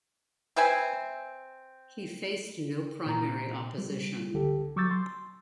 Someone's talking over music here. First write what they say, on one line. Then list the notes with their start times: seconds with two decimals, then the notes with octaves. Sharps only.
He faced no primary opposition.
0.56 C4 B4 E5 G#5
3.06 A#2 A#5
3.78 G3
4.33 C#2 D3 G4 A4
4.76 F#3 C#6 D6 E6 G6 A6
4.91 C6